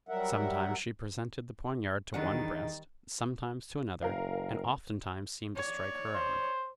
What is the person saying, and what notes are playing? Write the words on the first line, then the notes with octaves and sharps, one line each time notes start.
Sometimes she presented the poniard to one breast, sometimes to another, and oftentimes seemed to strike her own.
F#3 G3 A#4 E5 F#5
E2 D#3 G3 D4 D#4 F#5 A6
F#1 A#4 F5
C#5 D5
C5